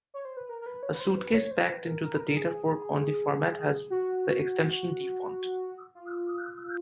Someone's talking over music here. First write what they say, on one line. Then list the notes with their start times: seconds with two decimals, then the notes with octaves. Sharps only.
A suitcase packed into the data-fork-only format has the extension "dfont".
0.14 C#5
0.25 C5
0.37 B4
0.49 A#4
0.61 A#4
0.66 B4
0.83 C#5
0.94 B4
1.00 C5
1.17 B4
1.34 C#5
1.51 C5
1.68 B4
1.85 A#4
2.02 A#4
2.15 B4
2.20 A#4
2.36 G#4
3.90 F#4
5.95 F4